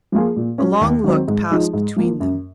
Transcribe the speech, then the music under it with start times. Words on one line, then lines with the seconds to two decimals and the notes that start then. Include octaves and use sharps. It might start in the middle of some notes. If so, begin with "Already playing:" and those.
A long look passed between them.
0.12 F3 A#3 F4 G#4
0.36 A#2
0.58 F#3 C#4
0.81 D#2
1.04 D#3 F#3 C4
1.28 G#2
1.50 F3 G#3 D#4
1.73 G#2
1.96 F3 A#3
2.20 F#2